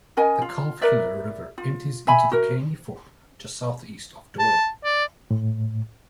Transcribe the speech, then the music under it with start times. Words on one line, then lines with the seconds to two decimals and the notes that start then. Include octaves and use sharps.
The Calfkiller River empties into the Caney Fork just southeast of Doyle.
0.17 C#4 A#4 D#5 G#5
0.42 F4
0.81 A#4 B4 D5 E5
1.58 F4
2.07 E5 G#5 B5
2.32 F#4 A#4
4.39 A5
4.84 D5
5.31 A2